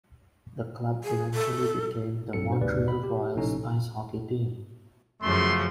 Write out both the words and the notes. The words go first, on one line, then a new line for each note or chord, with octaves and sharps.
The club eventually became the Montreal Royals ice hockey team.
G#4
A4
B1 G2 F#3 C4 A4 C#7
D4 F#4 C5
A#1 D#2 G#2 C3 B4 D5
B5
G4
A#1 A2 C3 C#4 D#4 A4
F#2 C#3 F3 A3 C6